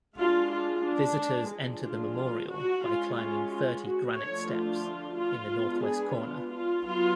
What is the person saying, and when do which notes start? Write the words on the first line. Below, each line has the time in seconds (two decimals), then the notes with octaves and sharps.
Visitors enter the memorial by climbing thirty granite steps in the northwest corner.
0.17 G#3 D4 F4
0.51 F4
0.85 D4
1.51 F3 G#3 D4
1.84 F4
2.17 F4
2.50 F#4
2.84 G#3 C#4 F4
3.18 F4
3.52 F4
3.85 F#4
4.18 D3 F3 A3 D4 C#5
4.51 F4
5.18 F4
5.51 G#3 B3 D4
5.84 G#4
6.18 F4
6.51 F4
6.85 F#3 B3 F4